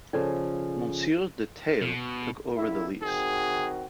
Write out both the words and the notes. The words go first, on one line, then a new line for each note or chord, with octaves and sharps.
Monsieur de Theil took over the lease.
C#3 F3 A4 D5 G#5
B2
A#1 E4
D#3 C4 F#4 G#4